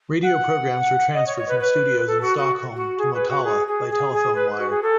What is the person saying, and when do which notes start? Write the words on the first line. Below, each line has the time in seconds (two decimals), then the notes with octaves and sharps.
Radio programs were transferred from studios in Stockholm to Motala by telephone wire.
0.22 F#5
1.13 D#5
1.26 C#5
1.37 C#5
1.48 B4
1.59 B4
2.06 A4
2.21 F#4
2.37 F#4
2.75 F#4
2.98 G#4
3.13 B4
3.28 F#4
3.43 G#4
3.67 G#4
3.90 G#4
4.12 G#4
4.35 B4
4.58 F#4
4.69 G#4
4.82 A4